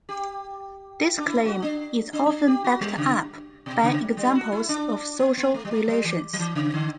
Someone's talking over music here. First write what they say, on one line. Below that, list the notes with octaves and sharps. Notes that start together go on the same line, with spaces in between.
This claim is often backed up by examples of social relations.
G4
D4
E4
F#4
D4
D4
C#4
D4
G4
F#4
G3
C#3
B2
C#3
F#3
G3
E4
F#4
E4
D4
B3
B3
A3
G3
A3
G3
E3
F#3
E3
C#3
D3